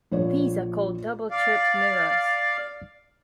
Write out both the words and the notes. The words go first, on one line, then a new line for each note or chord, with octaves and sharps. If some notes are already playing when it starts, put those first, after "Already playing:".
These are called double-chirped mirrors.
A#1 D4 C#5 D5
D5 F5